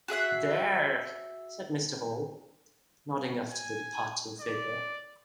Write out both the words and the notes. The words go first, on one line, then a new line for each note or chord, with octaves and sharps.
"There," said Mr. Hall, nodding after the departing figure.
F#4 G#4 E5 F#5
G#5
D5